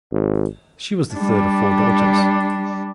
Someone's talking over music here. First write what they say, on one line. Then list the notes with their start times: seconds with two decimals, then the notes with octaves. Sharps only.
She was the third of four daughters.
0.12 G#1
1.14 G3 D4